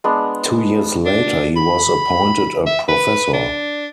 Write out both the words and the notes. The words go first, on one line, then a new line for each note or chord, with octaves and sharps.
Two years later he was appointed a professor.
G#3 B3 D4
D4
B5
E5
B4
D4